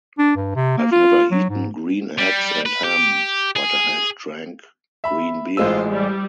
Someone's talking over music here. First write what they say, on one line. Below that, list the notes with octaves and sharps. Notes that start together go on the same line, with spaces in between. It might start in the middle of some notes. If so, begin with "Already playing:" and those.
I've never eaten green eggs and ham, but I have drank green beer.
D4
G2
C3
A#3
F4
F#3
G#2
G3
B4
G4
G#4
E5 B5
A1 G#3 F4 C5 E6
G3